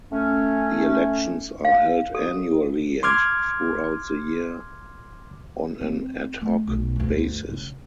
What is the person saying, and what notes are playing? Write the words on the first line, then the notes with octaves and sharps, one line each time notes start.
The elections are held annually and throughout the year on an ad hoc basis.
A3 C#4
F5
A4
C6 D6 F6 G#6
C4
G#3 A3
B1
D2 G2
C#3